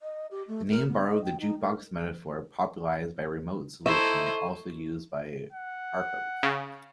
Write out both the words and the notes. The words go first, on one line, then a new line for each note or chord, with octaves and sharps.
The name borrowed the jukebox metaphor popularised by "Remote Solution", also used by "Archos".
D#5
G4
A3
A#4
B3
D#5
G5
D#4
A#4
D#4 E4 A4 C5 E5 C#6
F#5
C#3